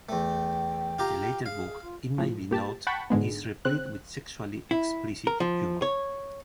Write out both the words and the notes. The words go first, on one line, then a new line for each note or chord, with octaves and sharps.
The latter book, it may be noted, is replete with sexually-explicit humor.
E2 A3 G5
F4 G4 A#5
G#4 F5
F4
A2 F3
A#2 G4 A5
F#5 G5 A5 B5 C#6
G#2 D3 G#3 B3
C#3 C4 F#6
E4
A#4
F3
C#5